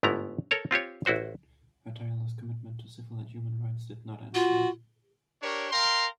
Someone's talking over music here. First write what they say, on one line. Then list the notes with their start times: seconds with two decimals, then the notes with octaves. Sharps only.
Her tireless commitment to civil and human rights did not end there.
0.03 G1 G#2 A3 B3 E4 A#5
0.51 A4 A#4 C#5 A#5
0.71 C4 F4 G4 C#5
1.06 A1 E4 F#4 C5
4.34 F4 F#4
5.42 D4 G4 A#4 C#5
5.71 A#4 F5 G5 A#5 C6